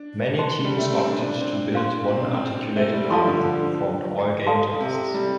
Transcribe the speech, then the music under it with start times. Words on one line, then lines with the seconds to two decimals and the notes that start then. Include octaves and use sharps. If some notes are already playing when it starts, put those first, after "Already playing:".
Many teams opted to build one articulated arm that performed all game tasks.
Already playing: D4
0.38 C5 A5 C6
0.65 G3
0.78 A3
0.93 C4
1.06 D4
1.23 D4
1.40 C4
1.74 C5 F5 C6
2.08 C4
2.21 D4
2.33 C4
2.76 A3
2.93 G3
3.10 F3 A4 F5 A5 C6
3.27 D3
4.46 A4 D5 F5 A5 C6
4.80 C3
5.14 G3